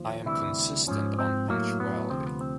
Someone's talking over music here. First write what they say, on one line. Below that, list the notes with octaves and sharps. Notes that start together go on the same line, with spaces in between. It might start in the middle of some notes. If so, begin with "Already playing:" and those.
I am consistent on punctuality.
Already playing: D#2 F3
D2 C3 E3 G3 E4
G#2 F3 C#4
C4
A2 F#3 A#3
B3
D2 C3 F3 C4
B3
C4